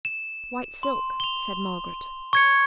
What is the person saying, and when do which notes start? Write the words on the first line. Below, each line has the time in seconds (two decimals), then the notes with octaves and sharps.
'White silk,' said Margaret.
0.05 E7
0.83 C6
1.20 F7 G7
2.33 C#6 G#6 C#7